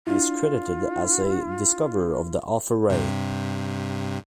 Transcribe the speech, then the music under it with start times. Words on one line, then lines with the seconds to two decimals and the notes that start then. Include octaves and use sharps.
He is credited as a discoverer of the alpha ray.
0.07 D4 E4 F4
2.90 G2 C3